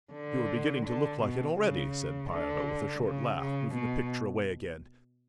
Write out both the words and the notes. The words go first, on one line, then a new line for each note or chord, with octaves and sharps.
"You are beginning to look like it already," said Piero, with a short laugh, moving the picture away again.
D3
D3
B2
C#3
D3
C#3
C#3
B2